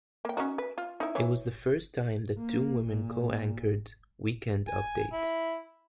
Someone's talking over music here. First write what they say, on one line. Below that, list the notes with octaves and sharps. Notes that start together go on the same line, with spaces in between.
It was the first time that two women co-anchored "Weekend Update".
A#3 G5
C#4 D#4 F#4
B4
F4
D#4 E4
E3 C#5
A#3
A#2
G#5
E4